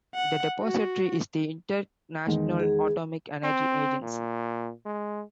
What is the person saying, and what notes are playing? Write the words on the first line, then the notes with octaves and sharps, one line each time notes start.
The depository is the International Atomic Energy Agency.
F#5
F#4
E2 D#3 G#3
G#4
C4
A#2
G#3